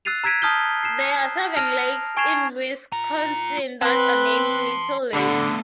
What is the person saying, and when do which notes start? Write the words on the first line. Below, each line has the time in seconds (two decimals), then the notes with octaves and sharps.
There are seven lakes in Wisconsin that are named Little Lake.
0.05 E6 F#6 A6 C7 D#7 F7
0.24 A#5 E6 G#6 B6 D7 D#7
0.42 A5 D#6 F6 G6 G7
0.83 C7 E7
1.57 A5 F6 A#6 D7 F7
2.17 G#5 C#6 G#6 C7 E7 F7
2.92 F4 A#5
3.82 C4 B4 A5 C6
5.13 D3 A3 B3